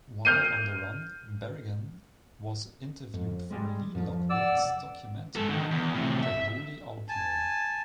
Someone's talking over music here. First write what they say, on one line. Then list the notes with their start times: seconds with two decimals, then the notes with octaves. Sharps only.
While on the run, Berrigan was interviewed for Lee Lockwood's documentary "The Holy Outlaw".
0.25 F6 G6 C7 D#7
3.14 F2
3.51 G3 G#3
3.95 F2 F3
4.30 D5 F#5 E6
4.52 E1
5.36 G#3 A4
5.49 D3 D#3
5.71 E2
5.94 A2 C3
6.23 E5
7.09 G#5 A5